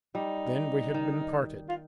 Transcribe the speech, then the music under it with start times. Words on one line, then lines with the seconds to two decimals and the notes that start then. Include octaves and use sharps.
Then we had been parted.
0.15 G3 D#4
0.94 D#3
1.69 F4